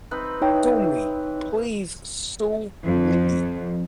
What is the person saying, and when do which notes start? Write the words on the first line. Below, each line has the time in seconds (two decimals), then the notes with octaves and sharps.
"Sue me, please sue me
0.11 C4 D#4 B4
0.42 E3 D#4 C#5 G5
2.85 F2